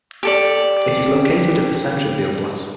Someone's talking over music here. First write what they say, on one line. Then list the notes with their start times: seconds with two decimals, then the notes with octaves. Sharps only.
It is located in the center of the oblast.
0.23 G4 A4 D5